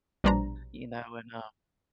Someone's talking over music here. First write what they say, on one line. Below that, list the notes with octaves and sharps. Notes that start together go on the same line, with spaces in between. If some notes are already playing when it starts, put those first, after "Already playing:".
you know, and, uh
A#1 B2 G3 D4 C5 A#5